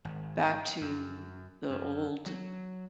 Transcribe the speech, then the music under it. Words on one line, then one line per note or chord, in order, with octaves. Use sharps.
back to the Old
G#1
F#2
F#2
F#3